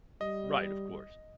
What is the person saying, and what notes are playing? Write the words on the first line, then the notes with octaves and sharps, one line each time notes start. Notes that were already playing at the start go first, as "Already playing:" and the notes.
Right, of course.
G3 D#5